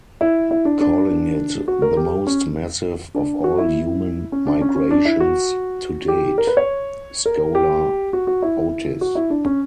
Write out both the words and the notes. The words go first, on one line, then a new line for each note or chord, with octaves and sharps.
Calling it the "most massive of all human migrations to date," scholar Otis.
E4
E4
D4
D4
F#4
A#4
G4
C#4
D4
F#4
E4
C#4
D4
C#4
C#4
D4
E4
F#4
G4
A#4
B4
C#5
A#4
G4
F#4
F#4
E4
F#4
E4
D4
C#4